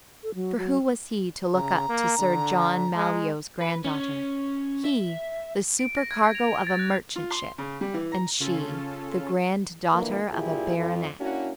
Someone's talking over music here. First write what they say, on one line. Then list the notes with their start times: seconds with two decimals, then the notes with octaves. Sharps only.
For who was he to look up to Sir John Malyoe's granddaughter, he, the supercargo of a merchant ship, and she the granddaughter of a baronet.
0.23 A4
0.35 F#3
0.57 F#3
1.54 C#3 A#5
1.89 A#3
2.19 D3
2.96 G#3
3.61 B4
3.84 C#4
4.84 E5
5.79 D7
5.97 A#6
6.11 G#6
6.35 F7
6.67 A6
6.79 F#6
7.16 F4
7.31 C6
7.58 C#3
7.81 G3
7.94 E3
8.12 A#5
8.40 C#3 C#4 F4 A4
9.93 A#2 D3 E3 A#3
10.31 G2 A#2 E4 F4 G4 G#4
10.77 F2
11.20 A#3 C#4 D4 E4 F#4